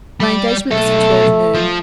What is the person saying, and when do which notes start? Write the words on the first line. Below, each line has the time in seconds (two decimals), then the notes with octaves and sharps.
My engagement is for twelve noon.
0.20 G3 D5
0.71 B1 A3 A4
1.54 F3